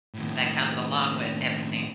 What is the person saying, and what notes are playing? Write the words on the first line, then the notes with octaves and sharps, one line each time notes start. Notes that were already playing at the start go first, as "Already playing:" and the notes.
that comes along with everything,
D#2 A2